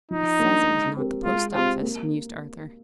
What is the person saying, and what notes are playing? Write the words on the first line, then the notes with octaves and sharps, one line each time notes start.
"He says it was not the post-office," mused Arthur.
F3 D#4
A#3 D4
G#3
C4 G4 A#4
G#3 F4
C4 F4 G4 C5
A#3